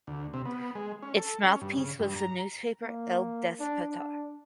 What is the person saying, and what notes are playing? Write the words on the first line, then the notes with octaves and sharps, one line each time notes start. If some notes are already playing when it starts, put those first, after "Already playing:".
Its mouthpiece was the newspaper "El Despertar".
D2
C3
B3
G#3
C#4
A4
C#4
G2
C#3
G2
A#5
A#3
D4
D4